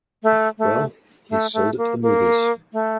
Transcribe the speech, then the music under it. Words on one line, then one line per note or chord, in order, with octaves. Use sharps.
Well, he sold it to the movies.
A3
A3
A3
A3
A#3
A#3
A3